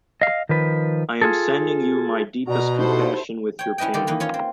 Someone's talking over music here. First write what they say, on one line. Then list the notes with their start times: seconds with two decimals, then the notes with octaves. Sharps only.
I am sending you my deepest compassion with your pain.
0.22 D#5 F5
0.49 D#3 F3 B4
1.22 F4 G#4 A4
2.47 B2 F#4 D5 A#5
2.78 D#4 E4 F#4 G4 A4 C5
3.59 C#5 G5
3.78 C#4 E4 B4 D#5 G5
3.94 D3 D#3 A#3 D5 G5
4.07 D#3 E3 A#3 B4
4.20 C#4 F4 C#5
4.34 C4